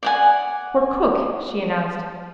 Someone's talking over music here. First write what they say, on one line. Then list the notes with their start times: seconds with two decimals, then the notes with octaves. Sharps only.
"For cook," she announced.
0.03 D5 F#5 G#5